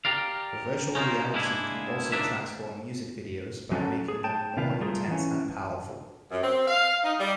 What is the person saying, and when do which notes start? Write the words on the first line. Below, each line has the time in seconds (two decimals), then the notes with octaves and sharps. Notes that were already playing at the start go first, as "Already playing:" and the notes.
Virtual reality can also transform music videos by making them more intense and powerful.
0.05 G4 A#4 D5 F5
0.95 C#4 D#4 F4 A#4 C5
1.34 G#3 A#3 D4 E4 G#4
2.12 C#2 G#2 A#3 D4 E5
3.72 F#3 C#4 F#4 A4
4.08 G#4
4.24 G5 A5
4.57 C3 D#3 F4 B4 F5
4.80 G3 A3 F4 G#4 A#4
5.08 E3 C#4
6.32 F#2
6.43 C4
6.68 F5
7.04 D#4
7.20 G3